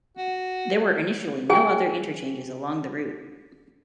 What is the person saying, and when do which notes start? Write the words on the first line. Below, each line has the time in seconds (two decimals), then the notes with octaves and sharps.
There were initially no other interchanges along the route.
0.18 F#4
1.50 G#4 G5 G#5